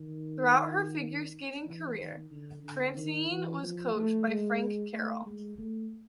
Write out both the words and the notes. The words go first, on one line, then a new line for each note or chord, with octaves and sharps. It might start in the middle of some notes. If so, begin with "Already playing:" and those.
Throughout her figure skating career, Fratianne was coached by Frank Carroll.
Already playing: D#3
E3
D#3
D3
D3
D#3
E3
F3
A3
G#3
A3
G#3
A3